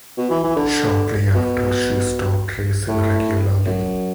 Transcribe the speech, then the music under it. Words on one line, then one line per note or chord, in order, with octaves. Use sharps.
Shortly after she stopped racing regularly.
B2
E3
E3
D3
B2
A2
F#2